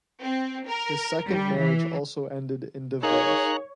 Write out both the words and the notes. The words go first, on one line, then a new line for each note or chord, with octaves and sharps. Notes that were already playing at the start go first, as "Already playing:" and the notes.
His second marriage also ended in divorce.
C4
A#4
G3
E3
D#4 G#4 A#4 C#5 F5 A#5 F#6